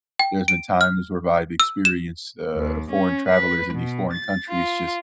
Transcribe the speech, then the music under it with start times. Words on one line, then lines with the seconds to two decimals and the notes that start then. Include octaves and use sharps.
There's been times where I've experienced, uh, foreign travelers in these foreign countries just
0.19 G5
0.48 D7
0.81 F6
1.60 E6
1.85 E7
2.55 D#2
2.91 C#4
3.28 B4
3.74 B2
4.13 A6
4.49 F4